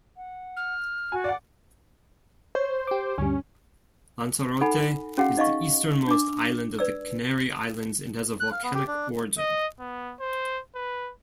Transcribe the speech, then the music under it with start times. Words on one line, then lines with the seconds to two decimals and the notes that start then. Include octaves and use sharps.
Lanzarote is the easternmost island of the Canary Islands and has a volcanic origin.
0.17 F#5
0.57 F6
1.12 F#4 G#5
1.24 D5 F5 F#5
2.55 C5 C#5
2.87 G4 D6
3.18 D2 G2 G3 C#4
4.61 D#4 A4 F#5 G#5 B5
5.18 C#4 F#4 G#4 F5 F#5
5.37 D#4 D#5 F5 C#6
6.08 D4 D6
6.79 B4 D5 E6
8.40 F#6
8.52 F5
8.63 B3
8.75 G4
8.88 D4
9.38 D#5
9.80 B3
10.20 C5
10.75 B4